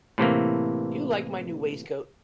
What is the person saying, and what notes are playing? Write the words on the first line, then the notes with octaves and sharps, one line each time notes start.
Do you like my new waistcoat?
A2 C3 E3 A#3